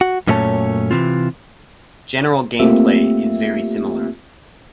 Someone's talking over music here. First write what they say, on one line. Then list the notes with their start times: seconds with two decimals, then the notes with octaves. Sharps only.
General gameplay is very similar.
0.01 F#4
0.27 F#2 A#2 A3 C#4 C#5 A5
0.91 C3 E3 C4 F4
2.59 A3 A#3 C4 F4 G4 E5